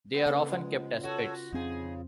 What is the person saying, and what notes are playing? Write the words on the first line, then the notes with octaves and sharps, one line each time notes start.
They are often kept as pets.
B3
C#3 A#3 A4
G#3 F4
F#4 A4 C#5
F2 C#3 C4 D#4 G#4